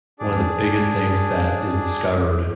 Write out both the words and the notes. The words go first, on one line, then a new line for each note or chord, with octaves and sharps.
one of the biggest things that is discovered
D4 G#4 D5